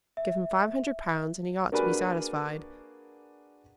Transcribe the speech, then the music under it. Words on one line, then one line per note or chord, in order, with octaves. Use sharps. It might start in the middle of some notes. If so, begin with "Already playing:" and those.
Give him five hundred pounds, and he ought to be satisfied.
E5
A#3 D4 F#4 G#4 A#4 B4